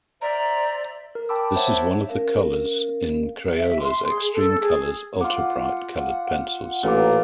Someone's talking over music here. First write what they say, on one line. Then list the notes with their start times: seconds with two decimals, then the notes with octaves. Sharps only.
This is one of the colors in Crayola's eXtreme colors ultra-bright colored pencils.
0.22 C5 D5 E5 A#5
1.15 A#4
1.29 G5 A5 B5 D6 E6
1.55 C5 C#5 E5 F#5 A5
2.07 C#4 A#4 F5
3.55 E5
3.80 C6
4.08 G#4
4.33 A4
4.60 G#4
5.20 F4 F#5 D6
6.83 A1 A#2 D6